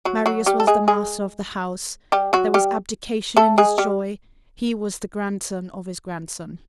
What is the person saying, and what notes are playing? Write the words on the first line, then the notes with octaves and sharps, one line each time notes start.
Marius was the master of the house, there was abdication in his joy, he was the grandson of his grandson.
F#3 F#4
F#3 F#4
G3 G4
A4
G#3 G#4
G#3 G#4
G3 G4
F#3 F#4
G3 G4
A3 A4
G#3 G#4
G3 G4